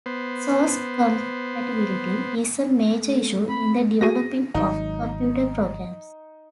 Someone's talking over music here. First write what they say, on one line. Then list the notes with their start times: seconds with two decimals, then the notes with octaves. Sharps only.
Source compatibility is a major issue in the developing of computer programs.
0.06 B3 C5
2.93 A3
3.49 C4 B5
4.01 A#3 F#4 G#4 A#6 D#7
4.55 G#1 F#3 D#4